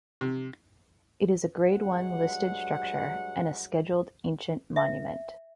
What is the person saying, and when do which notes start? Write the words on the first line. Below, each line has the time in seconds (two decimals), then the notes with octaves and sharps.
It is a grade one listed structure and a Scheduled Ancient Monument.
0.21 C3
1.70 G2 F#3 G#3 F#5
4.76 E5